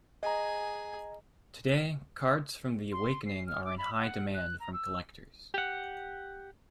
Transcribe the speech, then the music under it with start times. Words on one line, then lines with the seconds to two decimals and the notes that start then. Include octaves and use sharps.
Today, cards from The Awakening are in high demand from collectors.
0.23 G#4 D#5 G#5 A#5
2.92 C6
3.26 C7
3.47 F6
3.65 D6
3.78 B5
3.99 F#5
4.34 F#6
4.60 A#5
4.73 E6
5.54 G4 F#5